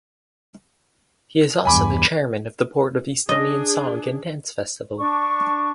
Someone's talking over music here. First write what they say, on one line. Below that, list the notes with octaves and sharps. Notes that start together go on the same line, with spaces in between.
He is also the chairman of the Board of Estonian Song and Dance Festival.
E2 G2 G#5 B5 D6
D4 G#4 D#5
D4 C#6